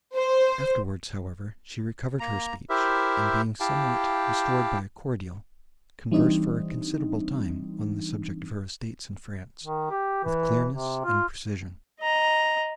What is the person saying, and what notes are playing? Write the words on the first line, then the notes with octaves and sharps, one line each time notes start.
Afterwards, however, she recovered her speech, and, being somewhat restored by a cordial, conversed for a considerable time, on the subject of her estates in France, with clearness and precision.
C5
A#3 A#5
E4 G4 A#4 C5 E5
E4 G4 F5 G5 A5
E3 G3 C4 D4 D#4
D#3
G4
E3
C3
F4
D#5 A#5